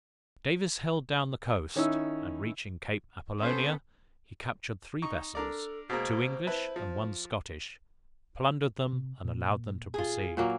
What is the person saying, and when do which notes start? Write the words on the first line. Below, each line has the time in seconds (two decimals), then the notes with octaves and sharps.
Davis held down the coast, and reaching Cape Appolonia he captured three vessels, two English and one Scottish, plundered them, and allowed them to proceed.
1.75 D#3 C#4 D#4 E4 E6
3.41 B3 C#4 A4 C5
5.02 D#4 C#6
5.35 D4 A4 A#4 D5
5.90 B2 G#3 A#3 C5
6.47 E4 B4 A5
6.76 F3
8.93 C3
9.24 A#2 A#3
9.94 F4 G#4
10.37 A#2 F#3 A#3